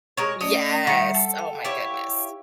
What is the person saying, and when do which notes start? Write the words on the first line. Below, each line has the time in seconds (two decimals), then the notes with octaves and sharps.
Yes. Oh, my goodness.
0.17 G#3 A#4 C#5
0.41 A3 C#4 D5 D#5
0.87 D#3 G3 E5 F#5 C#7
1.14 A4
1.35 F5 G5
1.65 E4 G4 C#5